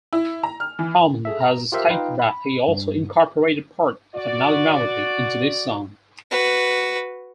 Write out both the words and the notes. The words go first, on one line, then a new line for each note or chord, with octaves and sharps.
Carmen has stated that he also incorporated part of another melody into this song.
E4
A#5
F6
E3
G#4 A4 E5
A#5
F4 G4 A#4 C5 E5 F5
D#4 F4 B4 F5 G5
B5
G2
F#4 D5
F#4 B4